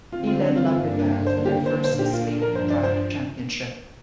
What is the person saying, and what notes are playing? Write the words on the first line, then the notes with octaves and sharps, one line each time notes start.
He led Lumberjacks to their first State Track Championship.
D3 G3 C4 F4
F4
D4
F4
G2 D3 A#3 D4 F4
D3 G3 A#3 D4 C5
G4
C5
A#2 A#3 D4 C5
G4
F4
G2 F3 D4 A#4
C5
D5
C5